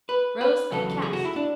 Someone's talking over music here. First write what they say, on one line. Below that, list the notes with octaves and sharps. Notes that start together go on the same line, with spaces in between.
Rows of cast.
B4
B4
E2 C#3 F#3 A4
G#4
F#4
E4
D4